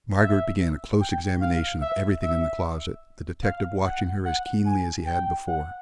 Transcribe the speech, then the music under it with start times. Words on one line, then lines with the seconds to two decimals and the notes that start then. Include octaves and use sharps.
Margaret began a close examination of everything in the closet, the detective watching her as keenly as he had before.
0.20 E5
1.01 G5
1.41 F5
1.82 E5
2.23 E5
3.44 F5
3.84 F#5
4.25 F#5
4.66 G#5
5.06 G5
5.47 F#5